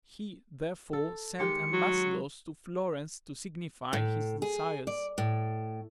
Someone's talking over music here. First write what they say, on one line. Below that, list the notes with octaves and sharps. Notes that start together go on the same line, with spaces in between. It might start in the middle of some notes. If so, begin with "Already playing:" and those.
He therefore sent ambassadors to Florence to signify his desires.
A4
D#3 G#3 G4 C#7
F#3
A2
G#4
D5
A2